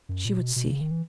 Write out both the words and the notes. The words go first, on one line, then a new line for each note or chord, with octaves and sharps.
She would see.
F#2
A#2
B2
B2
C#3
D#3
E3